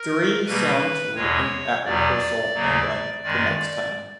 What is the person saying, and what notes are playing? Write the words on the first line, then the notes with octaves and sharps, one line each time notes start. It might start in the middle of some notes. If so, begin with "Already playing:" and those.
Three songs were written at rehearsal and done the next time.
Already playing: A#4
B2 G3 A#3 B4
E2 B2 G#3 C#5
E2 B2 F#3 D5
D#2 C#3 F#3 A#3
F#2 D#3 G#3 D5
D5